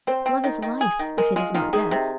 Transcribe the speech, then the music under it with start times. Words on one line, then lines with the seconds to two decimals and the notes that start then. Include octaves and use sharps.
Love is life, if it is not death.
0.07 C4 C5
0.26 C4
0.44 D#3
0.62 D#3
0.81 G#4
0.99 D#3
1.17 G#3 A#4
1.36 G#3 F4
1.54 D#3 F4
1.73 D#3 G#4
1.91 C3